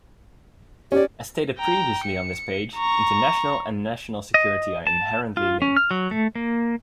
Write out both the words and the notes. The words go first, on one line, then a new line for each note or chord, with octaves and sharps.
As stated previously on this page, international and national security are inherently linked.
C#4 G4 D5
G5 A#5
C#7
A#5 C#6
D#5
A5
F4
C#4
F6
F#3
A3
A#3